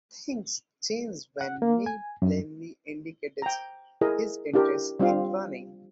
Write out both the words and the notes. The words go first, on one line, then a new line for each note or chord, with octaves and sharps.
Things changed when Neil Blaney indicated his interest in running.
F#5
A#3
G#5
F#2
G5 A#5
E4 G#4 A#4 D#5
D4 E4 G4 A#4
G3 C4 D4 F4 F5